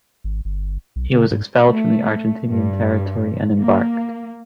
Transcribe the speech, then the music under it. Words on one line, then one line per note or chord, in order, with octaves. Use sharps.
He was expelled from the Argentinian territory and embarked.
G#1
G1
B1
C#3
G#2
A3
G2
A#3